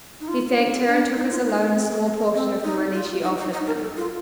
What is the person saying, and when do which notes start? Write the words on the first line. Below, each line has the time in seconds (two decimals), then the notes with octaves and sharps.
He thanked her and took as a loan a small portion of the money she offered him.
0.20 D#4
0.28 F4
0.57 D4
0.71 C4
0.86 D4
1.16 D#4
1.30 F4
1.45 D#4
1.60 A#3
1.75 C4
1.90 A#3
2.04 A#3
2.19 A#3
2.34 C4
2.64 D#4
2.93 F4
3.23 D#4
3.37 D#4
3.52 D#4
3.67 A#4
3.81 A4
3.97 F4